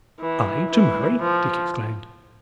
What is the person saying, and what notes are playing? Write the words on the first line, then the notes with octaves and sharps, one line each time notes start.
"I to marry!" Dick exclaimed.
E3
E3
F3